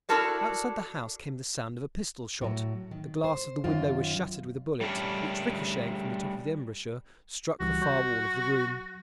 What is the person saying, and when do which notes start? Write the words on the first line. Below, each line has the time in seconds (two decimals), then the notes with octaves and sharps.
Outside the house came the sound of a pistol-shot; the glass of the window was shattered with a bullet, which, ricochetting from the top of the embrasure, struck the far wall of the room.
0.09 D4 E4 F#4 A4 A#4 D5
2.41 A2 F#3
2.91 D#3
3.24 C5
3.64 F#2 D#3 F4
4.81 G3 A3 C#4 D4
7.60 C#2 E3 G3 F#4
7.82 F#3 C#6 G6